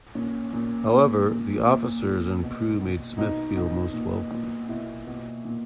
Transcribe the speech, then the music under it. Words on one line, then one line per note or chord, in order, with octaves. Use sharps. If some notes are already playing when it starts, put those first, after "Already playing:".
However, the officers and crew made Smith feel most welcome.
A#2 C#4
A#2
A#2
A#2
A#2
A#2
B2
B2
B2 D#4
B2
A#2
A#2
B2 E4
B2
A#2